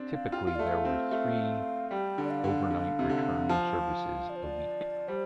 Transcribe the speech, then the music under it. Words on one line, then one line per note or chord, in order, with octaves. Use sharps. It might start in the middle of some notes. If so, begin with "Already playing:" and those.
Typically there were three overnight return services a week.
Already playing: C4 D4
F5
F4 G5
F4 F5
A3 D5
F5
C4
A3
G3 G5
D3
D5
F5
D3
D3
C3
D3
F3
D5
C5
D5
G3 C5